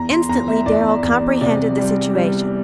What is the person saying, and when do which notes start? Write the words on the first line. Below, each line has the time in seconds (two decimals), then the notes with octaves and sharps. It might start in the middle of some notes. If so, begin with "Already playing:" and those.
Instantly Darrell comprehended the situation.
Already playing: E2 A#5
0.10 C6
0.29 E2 A#5
0.48 E5
0.66 E2 D5
1.03 E2
1.41 C3 D5
1.77 G3
2.15 G3